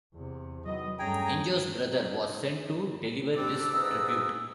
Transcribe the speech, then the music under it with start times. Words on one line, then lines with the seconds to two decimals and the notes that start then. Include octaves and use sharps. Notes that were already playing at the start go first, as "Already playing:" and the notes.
Injo's brother was sent to deliver this tribute.
0.14 E2 C3
0.66 D#3 F#3 B3 D#5
0.99 G2 A3 C#4 G#4 G5 G#5 A#5
3.36 C3 G3 D4 D5 D6 E6
3.73 C2 G#2 B4 A#5 D#6 E6